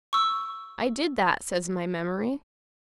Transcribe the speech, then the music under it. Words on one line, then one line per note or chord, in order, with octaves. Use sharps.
"I did that," says my memory.
C#6 E6